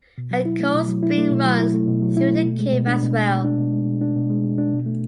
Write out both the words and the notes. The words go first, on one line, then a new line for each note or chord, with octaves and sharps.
A cold spring runs through the cave as well.
B2
F#3
E4
A3
B2
F#3
E4
A3
B2
F#3
E4
A3
B2
F#3
E4
A3
B2
G#3
B2
D4
B2
G#3
B2
D4
B2
G#3
B2
D4
B2
G#3
B2
D4
B2
A3